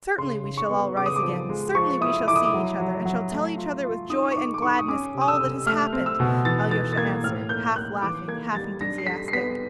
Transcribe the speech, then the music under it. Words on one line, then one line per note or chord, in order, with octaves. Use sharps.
"Certainly we shall all rise again, certainly we shall see each other and shall tell each other with joy and gladness all that has happened!" Alyosha answered, half laughing, half enthusiastic.
C#3 C6
C#3
C#6
B3
C#3 D6
D#6
D6
F3
G#3
F3 C#6
E4 D#6
E4 D6
D#6
D6
F#3
F#3
F#3
A3
F4
F4
D#4 D#6
C#6
D#4 D6
D6
D#4 C#6
D#6
C#4 D6
C3
D#6
E6
C3
A3 F6
C4
E6
B2
E3 A6
E3 A6
A6
A#3 G#6
A2 F6
A#3 G6
A#3 F#6
E3 D6
A#3 G#6
G3 A6
D4 A#6
C7
G3 B6
C7
B3 B6